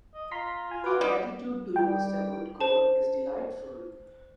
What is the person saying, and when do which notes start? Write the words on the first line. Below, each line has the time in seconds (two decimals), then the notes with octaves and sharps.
Her gratitude to you, Mr. Woodcourt, is delightful.
0.14 D#5
0.31 F4 A#5 C6 B6
0.71 F4 G#5
0.84 F4 F#4 B4 D6
1.01 G3 D#5 F#5
1.76 G3 G5
2.60 C5 A5